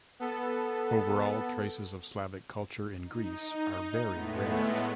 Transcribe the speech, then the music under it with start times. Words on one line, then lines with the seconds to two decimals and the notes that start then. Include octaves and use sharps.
Overall, traces of Slavic culture in Greece are very rare.
0.20 B3 A4
3.04 D#4
4.08 A2 G#3 A3 B3